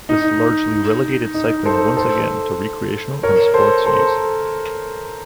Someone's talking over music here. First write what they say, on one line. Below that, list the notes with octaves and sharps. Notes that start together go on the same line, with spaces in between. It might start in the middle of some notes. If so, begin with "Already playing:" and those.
This largely relegated cycling once again to recreational and sports use.
D#4
D#4
A4 C5
A4 C5
A#4 C#5
A4 C5
A4 C5